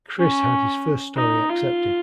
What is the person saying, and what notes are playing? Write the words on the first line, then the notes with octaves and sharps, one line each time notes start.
Chris had his first story accepted.
C#4
D#4
F4